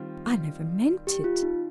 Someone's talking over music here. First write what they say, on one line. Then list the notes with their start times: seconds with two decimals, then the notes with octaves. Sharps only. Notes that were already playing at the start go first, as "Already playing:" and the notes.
I never meant it!
Already playing: D#3 G3 C4 F4
1.07 G4
1.24 F4
1.43 D#4